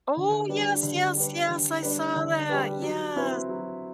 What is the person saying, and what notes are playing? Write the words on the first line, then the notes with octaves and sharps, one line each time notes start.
Oh, yes, yes, yes, I saw that, yes.
D3
G3 D4 G4 B4
D3
G3 D4 G4 B4
D3
G3 D4 G4 B4
D3
G3 D4 G4 B4
F#3
C4 E4 B4
F#3